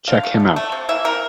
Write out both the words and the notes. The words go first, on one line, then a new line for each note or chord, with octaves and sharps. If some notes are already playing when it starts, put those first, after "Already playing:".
Check him out.
D3 F5
A3
D3
A3
C3
E3 A#3 E5
C3 A#4